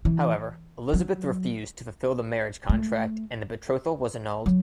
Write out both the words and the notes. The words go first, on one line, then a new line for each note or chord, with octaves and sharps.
However, Elizabeth refused to fulfill the marriage contract and the betrothal was annulled.
E3
F#3
A3
F#3